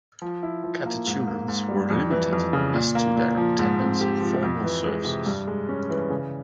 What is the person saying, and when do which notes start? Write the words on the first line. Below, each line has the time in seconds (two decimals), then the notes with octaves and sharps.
Catechumens were limited as to their attendance in formal services.
0.22 F3
0.43 E4
0.64 F3
0.86 A#3
1.06 G#2
1.27 A#3
1.48 G#2
1.69 G3
1.90 F2
2.11 E3
2.33 F2
2.53 C#3
2.74 A#2
2.95 A#3
3.16 A#2
3.37 F3
3.59 G#2
3.80 C4
4.01 G4
4.21 F3
4.43 F2
4.64 E3
4.85 G#3
5.05 C3
5.26 G2
5.47 G#3
5.69 C#4
5.90 E3
6.10 C#3